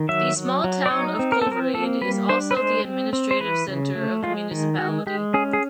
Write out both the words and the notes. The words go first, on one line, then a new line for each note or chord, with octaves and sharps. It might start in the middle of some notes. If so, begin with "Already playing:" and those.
The small town of Kolvereid is also the administrative centre of the municipality.
Already playing: D#3
F#3 E5
F#3
F#3
D5
D#4 C#5
C4
A#4
A4
C4
A#4
A#3 A4
G3 B4
D4 C5
B4
G#3 C5
C4
C4
C5
E3 B4
C#3
A3
G#3 F4
D#3
G#3 F#4
G#3 G4
C#4 G#4
G#4